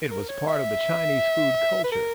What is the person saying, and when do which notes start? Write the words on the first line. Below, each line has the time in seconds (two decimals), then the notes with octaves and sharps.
It was part of the Chinese food culture.
0.11 A#4
0.29 C#5
0.48 E5
1.84 B4
1.92 A#4